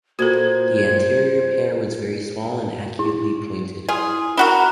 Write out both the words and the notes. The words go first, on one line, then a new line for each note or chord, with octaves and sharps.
The anterior pair was very small and acutely pointed.
A#2 A#3 F#4 A4 C5 G#6
E4
F4 G#4
E4 F#4 A#4 B5 F#6